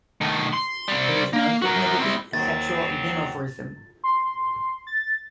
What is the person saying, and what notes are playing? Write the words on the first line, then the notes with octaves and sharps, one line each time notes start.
There is no significant sexual dimorphism.
D#3 A3
C6
G3 C4
A#3
F#4 A#4
C4 E4
D#2 G#2 F#3 C4 A6
C6
A6